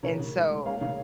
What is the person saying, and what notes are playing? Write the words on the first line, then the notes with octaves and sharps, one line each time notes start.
And so
C#3 A#4 C#5
C#3
G#3
G#3
A#3 C#5 F5
C#3 C#5 F5